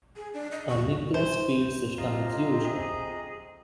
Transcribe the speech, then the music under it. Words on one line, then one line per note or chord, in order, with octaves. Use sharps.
A linkless feed system is used.
G#4
D4
D#5
C#6
C5
F2 C3 F4 D#5 A#5
G#4